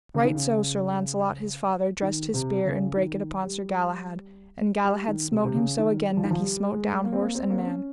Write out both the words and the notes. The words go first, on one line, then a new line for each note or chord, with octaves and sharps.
Right so Sir Launcelot, his father, dressed his spear and brake it upon Sir Galahad, and Galahad smote him so again that he smote down horse and man.
C#3
D#3
C#3
D#3
C3
C#3
D#3
G3
G3
D#3
C3
C3
C#3
D#3
G3
F3
D#3
F3
G3
G#3
A#3
C4
A#3
C4
A#3
C4
C#4